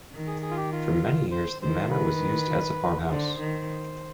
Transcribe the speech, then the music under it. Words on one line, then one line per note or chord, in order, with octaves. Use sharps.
For many years the manor was used as a farmhouse.
D#3
G#4
G#4
F4
G4
F4
C5
D#3 C5
B4
D3 C5
D#3